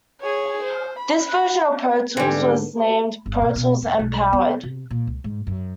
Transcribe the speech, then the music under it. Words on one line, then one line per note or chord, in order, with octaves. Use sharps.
This version of Pro Tools was named Pro Tools M-Powered.
G#4 C#5
C5
B5
G#2 D3 E3 G3
G1
B2
B2
E2
B1
B3
C3
A#2
C#2
G#2
F#2